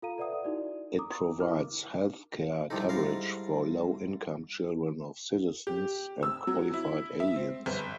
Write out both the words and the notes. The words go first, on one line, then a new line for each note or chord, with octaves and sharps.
It provides health care coverage for low-income children of citizens and qualified aliens.
F4 A4 F5 A#5 D#7
A4 B4 D5 E5 F#5 D#6
D#4 E4 F#4 D5
A#5 D6 D#6
E4 A#4 D6 F6
G2 C3 G3 D#4 E4 A4
G#2 A#4 F5
G4
E6
F#3
E4
E5
C4
G1